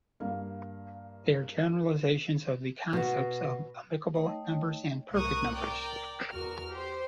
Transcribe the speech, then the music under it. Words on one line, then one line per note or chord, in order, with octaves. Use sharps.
They are generalizations of the concepts of amicable numbers and perfect numbers.
G2 A#3 F5
B2 F#4
A3 D#4 C#5 D#5 G5 A5
C2 A2 A#4 C#6 D#6 F#6
A#4 D5 G5
E2 F#4 A#4 F6
G4 C5